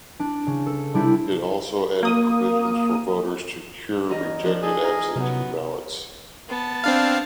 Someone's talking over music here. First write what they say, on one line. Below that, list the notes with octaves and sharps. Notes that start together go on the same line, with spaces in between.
It also added provisions for voters to "cure" rejected absentee ballots.
D4
C#3
A4
C3 G3 D4 E4
A#3 D#6
E2 A#4 D#5
F3 D4
D#4 G#4 A4 G#5
A#4 G#5
F#2 C3 B3
B3 A5
C4 D4 F5